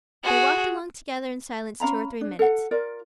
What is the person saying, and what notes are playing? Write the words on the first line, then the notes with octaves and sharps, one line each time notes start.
They walked along together in silence two or three minutes.
F#4 G#4
C#4 F5 A#5 B5
D4
A4 F#5
F4 A#4 D5